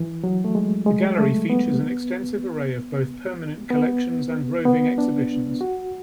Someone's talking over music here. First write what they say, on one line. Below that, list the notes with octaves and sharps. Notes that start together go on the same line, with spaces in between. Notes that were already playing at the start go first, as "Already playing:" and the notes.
The gallery features an extensive array of both permanent collections and roving exhibitions.
Already playing: E3
F#3
A3
G#3
G#3
A3
B3
B3
B3
D4
F#4